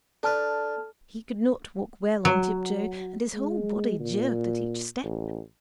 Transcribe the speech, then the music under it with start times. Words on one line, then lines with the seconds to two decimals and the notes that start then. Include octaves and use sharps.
He could not walk well on tiptoe and his whole body jerked at each step.
0.23 D4 A4 B4 A5 F6
2.25 F#3
3.34 G#3
4.00 A#2
5.04 A1